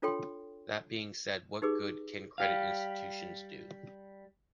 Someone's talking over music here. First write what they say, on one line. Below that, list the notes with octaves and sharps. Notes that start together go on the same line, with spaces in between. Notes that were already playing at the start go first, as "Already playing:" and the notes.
That being said, what good can credit institutions do?
D4 F4 A4 C#5 G5 C6
D#4 G4 G#4 B4 D6
G3 G4 F5